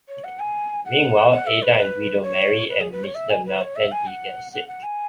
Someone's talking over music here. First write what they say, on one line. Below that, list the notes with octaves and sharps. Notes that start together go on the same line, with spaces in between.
Meanwhile, Ada and Guido marry and Mr. Malfenti gets sick.
C#5
F#5
G#5
F#5
F#5
E5
B4
B4
C#5
B4
G#4
B4
C#5
E5
G#5
B4
C#5
E5
G#5
F#5
F#5
F#5
G#5